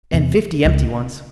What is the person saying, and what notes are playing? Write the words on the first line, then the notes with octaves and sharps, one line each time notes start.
"And fifty empty ones."
E2 C3
C#2 C#3 G#3